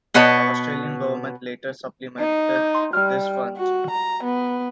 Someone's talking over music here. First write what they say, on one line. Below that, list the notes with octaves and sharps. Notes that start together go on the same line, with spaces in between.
The Australian Government later supplemented this fund.
B2 B3 B4 C#5 D#5 A5
D#4
G3
F#4
A#5
B3